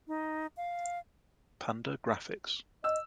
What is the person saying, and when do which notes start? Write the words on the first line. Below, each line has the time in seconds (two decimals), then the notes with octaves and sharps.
Panda Graphics.
0.08 D#4
0.57 F5
2.84 D#5 E6